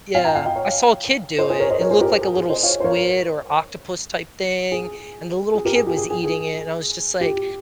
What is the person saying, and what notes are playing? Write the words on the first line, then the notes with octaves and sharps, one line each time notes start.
Yeah, I saw a kid do it. It looked like a little squid or octopus type thing and the little kid was eating it and I was just like,
F5 G#5
G5 A#5
F5 G#5
D#5 G5
C#5 F5
C5 D#5
G#4 C5
A#4 C#5
C5 D#5
A#4 C#5
G#4 C5
G4 A#4
G#4
G#4
C5 D#5
C#5 F5
C5
A#4 C#5
G#4
G#4
G4 A#4
G#4
G4
G#4
G#4
G#4
G4